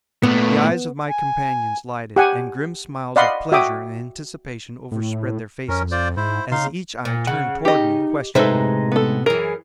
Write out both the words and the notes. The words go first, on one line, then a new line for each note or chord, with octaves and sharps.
The eyes of my companions lighted, and grim smiles of pleasure and anticipation overspread their faces, as each eye turned toward me questioningly.
A#2 A3 B3
G#5
G4 F#5 G#5
D5 D#5 F5 F#5 B5 C6
F#4 E5 G5 D6 D#6
A2
F2 C#4 A#4
F4 C5 D5
G#2 E4 C5
C#3 D#4 F5 C6
A#2
C#3 F#5
D#4 G4 D#5
A2 C3 G#3 D#4 A4 B4 C5 E5
B3 A4
F#2 E3 G#4 A#4